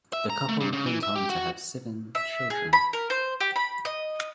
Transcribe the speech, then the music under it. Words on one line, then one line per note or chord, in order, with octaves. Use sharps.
The couple went on to have seven children.
E5
A#5
A3
G2
C#3
E3
E5
G4
F#4
E5
G#4
B5
A#4
C5
G4
B5
D#5